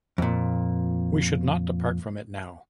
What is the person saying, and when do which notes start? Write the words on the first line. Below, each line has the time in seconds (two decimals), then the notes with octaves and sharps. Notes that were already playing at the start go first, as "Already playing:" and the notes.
We should not depart from it now.
0.18 F2 A#2